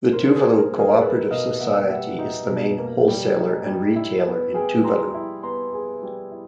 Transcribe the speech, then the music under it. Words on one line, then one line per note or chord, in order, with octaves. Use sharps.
The Tuvalu Cooperative Society is the main wholesaler and retailer in Tuvalu.
B2 A#4 C5
G#4 A#4
A#3
G#4 A#4
G3
G#4 A#4
D#4 A4 B4
B2 D#5 F5
A#3 E5 F#5
G3 E5 F#5
D#4
B2
A#3
G3
D#4
G3
E4
B3
G#4 F5 G5
G3 A#5 C6
E4
B3 A#5 C6
G#4
G3
E4